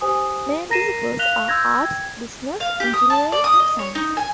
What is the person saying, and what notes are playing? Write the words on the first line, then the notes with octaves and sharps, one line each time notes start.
Main disciples are arts, business, engineering and science.
G4 C5 G#5 D#6
A#4 A#5 A#6 C7 D#7 E7
F5 F#6 B6 F7 G7
C6 E6 G6 G#6 A#6
G5 G#6
F5
G4
D#6
A5
D5
D#6
D#5
C#5
D#4
G#5